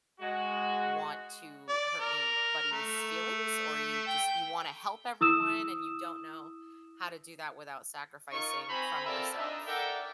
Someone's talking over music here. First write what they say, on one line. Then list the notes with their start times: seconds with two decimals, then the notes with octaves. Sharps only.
want to hurt anybody's feelings? Or, you just you wanna help everyone and you don't know how to do that without sacrificing from yourself?
0.20 G#3 F#4
1.69 D5
2.00 A#4
2.72 A3
4.07 G5
5.21 E4 D#6 E6 E7
8.32 D#4 F4 A#4 C#6
8.68 C4 C5 G#5 A#5 B5
9.06 C4 F4 A4 A#4 D5 E5
9.38 D4 D#4 D#5 E5
9.67 A4 A#4 D5 E5 F#5 G5